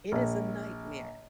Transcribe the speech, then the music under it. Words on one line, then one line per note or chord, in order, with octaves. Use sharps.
It is a nightmare.
A#1